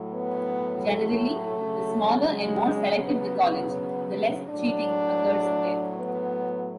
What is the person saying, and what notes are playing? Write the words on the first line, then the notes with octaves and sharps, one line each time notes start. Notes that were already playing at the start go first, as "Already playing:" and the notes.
Generally, the smaller and more selective the college, the less cheating occurs there.
Already playing: A2 F#3
B3
A3
C#3 F#3
G#3
B3
A2 F#3 D4
B3